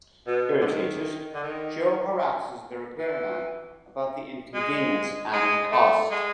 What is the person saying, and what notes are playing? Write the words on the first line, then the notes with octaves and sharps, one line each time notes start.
Irritated, Joe harasses the repairman about the inconvenience and cost.
B2
D3
D#3
D3
D#3
E3
G#3
G#3
A3
G#3